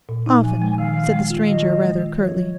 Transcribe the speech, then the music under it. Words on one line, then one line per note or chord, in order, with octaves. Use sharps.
'Often,' said the stranger rather curtly.
A#2
D#4
F3 G#5
G#3
G#5
D#3 F5
D#3
G#3
F4
D#3 D#5
D#3
G#3
F4
F3 C#5
F3